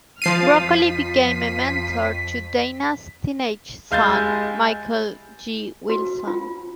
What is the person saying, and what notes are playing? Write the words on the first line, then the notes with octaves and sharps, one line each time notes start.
Broccoli became a mentor to Dana's teenage son, Michael G. Wilson.
F3 F6 A6 C7 D#7
F2 B6
G#3 E4 G4 F5 G#5 G6 A6
F#4
F4